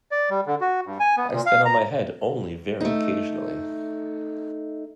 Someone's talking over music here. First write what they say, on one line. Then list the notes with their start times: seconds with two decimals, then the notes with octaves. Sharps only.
I stand on my head only very occasionally.
0.11 D5
0.30 G3
0.46 D3
0.61 F#4
0.86 G2
1.00 G#5
1.17 B3
1.33 A#2
1.46 F5
1.65 A#5
2.81 A3 D#4